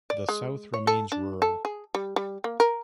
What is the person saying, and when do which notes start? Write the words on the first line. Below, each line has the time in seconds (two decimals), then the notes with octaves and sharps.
The south remains rural.
0.10 D5
0.29 G#3
0.74 C#5
0.87 A4
1.12 D4
1.42 A4
1.65 G#4
1.95 G3
2.16 G3
2.44 A#3
2.60 A#4